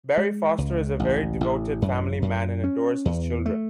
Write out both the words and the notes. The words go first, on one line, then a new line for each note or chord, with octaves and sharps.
Barry Foster is a very devoted family man and adores his children.
G#3
C#2
A1
A1
F#2
F#2
C#4
E2
A3